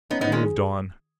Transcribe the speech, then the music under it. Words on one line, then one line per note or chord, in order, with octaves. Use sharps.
I moved on.
B3 C#4 D#4
B3 D#4
D#3
G#3 C#4
G#4